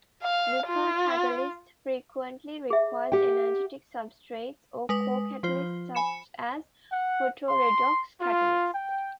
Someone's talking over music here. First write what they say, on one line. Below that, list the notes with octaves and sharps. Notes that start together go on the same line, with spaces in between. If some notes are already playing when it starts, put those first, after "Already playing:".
Nickel catalysts frequently require energetic substrates or co-catalysts such as Photoredox catalysts.
F5
F4
G#4 E5
G4 F#5 G5
G#3 B4 D#6
F3 F4 C5
G#5 B5 C#7 E7
F#5
C6
F4
G5